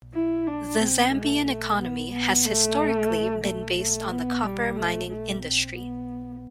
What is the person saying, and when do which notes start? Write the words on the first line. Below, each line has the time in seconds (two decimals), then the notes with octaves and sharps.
The Zambian economy has historically been based on the copper-mining industry.
0.14 E4
0.47 D4
0.80 C4
1.13 A3
1.46 A3
1.79 B3
2.12 B3
2.45 A3
3.44 A3
3.77 A3
4.10 B3
4.43 G3
4.76 A3
5.09 A3
5.42 C4
5.75 B3